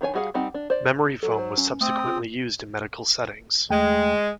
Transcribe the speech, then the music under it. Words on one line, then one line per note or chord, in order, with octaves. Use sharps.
Memory foam was subsequently used in medical settings.
D#3 D4 C#5 G#5
G3 F#4 G#4 F5 F#5
G3 C4 D#4 F#5
D4
C5 D5
F#3 A4
C5
C#4
A3 C4 D#6
F4
E2 G#3 A3 G5